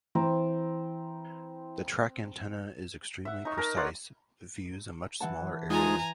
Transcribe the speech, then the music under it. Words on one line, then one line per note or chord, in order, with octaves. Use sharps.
The track antenna is extremely precise, but views a much smaller area.
E3 C4 A#5
E5 F#5
D#4 C#6
A#4 A5 A#5
C#5 D5 F#5 C6
E3 F#5 A5
G#3 D#4 F4 G#5 A#5